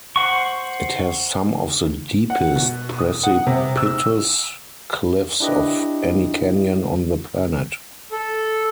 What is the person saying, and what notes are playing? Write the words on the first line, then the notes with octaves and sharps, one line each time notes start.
It has some of the deepest precipitous cliffs of any canyon on the planet.
C5 F#5 C#6
F#5
B2
D#6
F#5
C3
E6
D4 E4 G4 B4 D#5
A4